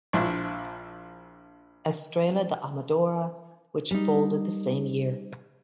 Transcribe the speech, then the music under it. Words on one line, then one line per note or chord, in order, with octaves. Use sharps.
Estrela da Amadora which folded the same year.
A#1 F3 D4 E4
G3 D#4